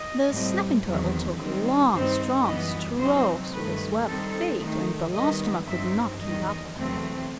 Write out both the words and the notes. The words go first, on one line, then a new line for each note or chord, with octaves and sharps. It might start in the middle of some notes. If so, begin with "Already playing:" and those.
The Snapping Turtle took long, strong strokes with his webbed feet, and Belostoma could not keep up with him.
Already playing: D#5
A2 G3 C4
E2 D#3 F#3 C4
D#3 G3 C4 D#4
G2 D#3 G3 C4 D#4 C5
F#2 E3 G3 B3 D#5
C3 F#3 C4 D#4 C5
G2 D#3 A3 B4
D#3 G3 C4 D#4 A4
D#3 A3 D#4
D#3 G3 B3 D#5
G2 F#3 C4 D#4 E5
E2 D#3 G3 D#5
E2 C3 F#3 A3 C4